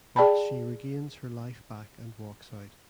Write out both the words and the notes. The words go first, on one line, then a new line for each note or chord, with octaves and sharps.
But she regains her life back and walks out.
G#4 D5 G5 A5 B5